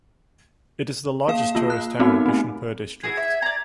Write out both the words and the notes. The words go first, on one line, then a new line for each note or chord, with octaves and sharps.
It is the largest tourist town in Bishnupur District.
A#3 F5 E7
A#3 F4
F#6
B3 C4 D#4 F#4
A3 C4
E4 F#4 G#4 G#6
E5
D5 A#5